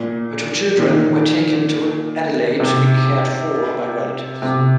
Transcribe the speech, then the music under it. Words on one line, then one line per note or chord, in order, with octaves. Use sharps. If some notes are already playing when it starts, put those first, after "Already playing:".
Her two children were taken to Adelaide to be cared for by relatives.
Already playing: A#2
A#2 D#3
C3
C3